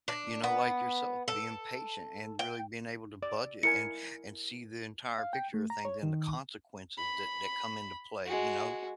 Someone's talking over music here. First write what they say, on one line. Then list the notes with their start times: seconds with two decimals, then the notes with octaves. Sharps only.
you know, like yourself, being patient and really being able to budget and and see the entire picture a things and the consequences that that come into play, you know?
0.08 D4
0.44 B3
1.28 A4
2.39 G5
3.23 D5
3.63 E4 A#4 G#5 C#7
5.18 F5
5.33 G5
5.54 A3
5.70 A#5
5.85 C#5
6.03 D#3
6.98 B5
8.26 G#3 F#4